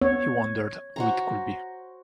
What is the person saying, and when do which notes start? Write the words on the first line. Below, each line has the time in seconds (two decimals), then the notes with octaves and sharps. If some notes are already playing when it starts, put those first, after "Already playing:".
He wondered who it could be.
0.02 B3 C#5
0.96 F#4 C5 A#5